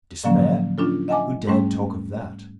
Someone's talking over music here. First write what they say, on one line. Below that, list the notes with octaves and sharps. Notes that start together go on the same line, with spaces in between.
Despair! Who dared talk of that?
A2 D3 F3 F#3 A#3 C#4
C#4 D4 F4 A4
D#5 E5 F#5 G#5 A5 D6
G#2 G3 A3 C#4